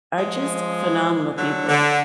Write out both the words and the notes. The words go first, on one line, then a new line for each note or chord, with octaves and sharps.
are just phenomenal people.
F3 G#3
D3 F#3
D3